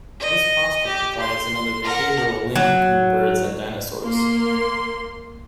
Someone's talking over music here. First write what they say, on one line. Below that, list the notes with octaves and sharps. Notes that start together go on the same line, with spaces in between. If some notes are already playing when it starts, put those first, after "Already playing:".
This posture provides another behavioral link between birds and dinosaurs.
D#5
G4
C6
A#4 F#5
F#3
A#3 C6